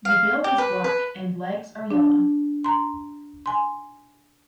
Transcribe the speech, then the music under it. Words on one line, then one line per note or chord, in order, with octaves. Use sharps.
The bill is black and legs are yellow.
F5
G4
B4
B4
D4
A#5 C6
G#5 C6